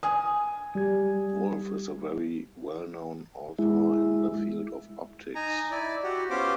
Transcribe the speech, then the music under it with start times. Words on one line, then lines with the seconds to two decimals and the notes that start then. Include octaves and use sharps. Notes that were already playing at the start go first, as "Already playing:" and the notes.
Wolf is a very well known author in the field of optics.
0.03 G#5 D#6
0.75 G3 G4 G#6
3.59 G#3 E4
5.35 D#4 G#5 A#5
5.71 E4 D5
6.03 F#4 G4
6.30 B3 C#4 F4 G4 C5 D6